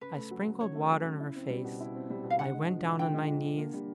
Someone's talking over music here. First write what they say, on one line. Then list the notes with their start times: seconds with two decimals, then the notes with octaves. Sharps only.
I sprinkled water on her face. I went down on my knees.
0.01 C#3 B4
0.16 A3
0.31 F#3
0.46 C#3
0.61 C#3 C#5
0.75 A3
0.91 F#3
1.05 C#3
1.20 E4
1.35 C4
1.50 G3
1.64 B2
1.80 E4
1.95 C4
2.10 G3
2.24 B2
2.30 F5
2.39 D3 F#5
2.54 G#3
2.69 F3
2.84 D3
2.99 D3 G5
3.14 G#3
3.28 F3
3.43 D3
3.58 A#3
3.74 G3